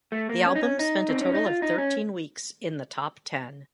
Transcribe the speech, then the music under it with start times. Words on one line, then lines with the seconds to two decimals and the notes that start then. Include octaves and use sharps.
The album spent a total of thirteen weeks in the top ten.
0.12 A3
0.29 A#3
0.45 C#4
0.55 D#4
0.62 C#4
0.79 D#4
1.09 C4
1.21 C#4
1.33 D#4
1.46 F4
1.62 D#4
1.78 C#4